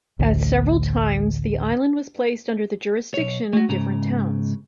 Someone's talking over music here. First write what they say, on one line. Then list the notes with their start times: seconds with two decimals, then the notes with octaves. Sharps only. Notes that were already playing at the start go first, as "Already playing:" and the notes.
At several times the island was placed under the jurisdiction of different towns.
0.19 A1 D2
3.14 B1 C#5
3.53 A3 F#4
3.69 G#2 C#3 A#5